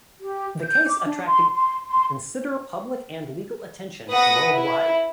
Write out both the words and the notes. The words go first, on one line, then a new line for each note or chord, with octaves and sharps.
The case attracted considerable public and legal attention worldwide.
G4
G6
D6
D4
C6
C6
C6
B4 F#5 D#6 A#6
E4